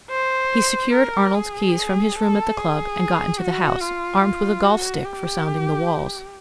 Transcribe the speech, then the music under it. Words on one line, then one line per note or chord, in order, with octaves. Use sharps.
He secured Arnold's keys from his room at the club and got into the house, armed with a golf-stick for sounding the walls.
C5
A#4
G#4
A4
G#4
F#4
F4
F4
F#4
G4